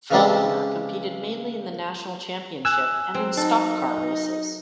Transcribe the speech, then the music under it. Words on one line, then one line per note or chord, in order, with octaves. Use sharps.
Faulkner competed mainly in the National Championship and in stock car races.
C#3 E3 G#3 C4 G4 A4
G#5 E6 F#6
F#3 C4
D#4 A4